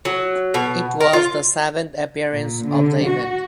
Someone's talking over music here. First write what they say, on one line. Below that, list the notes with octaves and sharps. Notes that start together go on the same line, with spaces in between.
It was the seventh appearance of the event.
F#3
B2
A#4
F4
A#2
D3
F#4